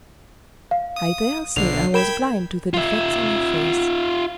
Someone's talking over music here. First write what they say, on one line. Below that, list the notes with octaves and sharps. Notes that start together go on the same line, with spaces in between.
I daresay I was blind to the defects in her face.
F5
D#6
B1 D3 C7 F7
A#4 G5 B5 G#6 B6 E7
F4 E5